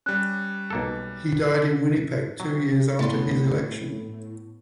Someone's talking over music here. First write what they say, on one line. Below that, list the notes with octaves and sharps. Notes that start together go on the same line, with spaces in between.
He died in Winnipeg two years after his election.
G3 C#4 F#6
B1 A#3 A4
C7
C3 F#3
A2 A3 B3 E4 C#5 D5 C6